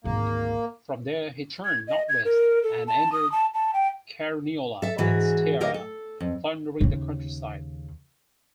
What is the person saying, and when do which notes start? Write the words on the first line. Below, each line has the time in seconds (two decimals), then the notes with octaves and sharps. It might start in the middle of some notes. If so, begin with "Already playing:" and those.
From there he turned northwest and entered Carniola and Styria, plundering the countryside.
0.04 G#1 D2 A#3
1.65 G#6
1.88 D#5
2.09 G#6
2.25 A#4
2.63 A4
2.87 A5
3.13 D#6
3.32 A5
3.54 A5
3.74 G5
4.82 A4 E5
4.98 G#2 E3 F#4 G#4
5.61 D2 G4 A#4 D#5 F5
5.74 A4
6.20 F2
6.81 D#2 C#3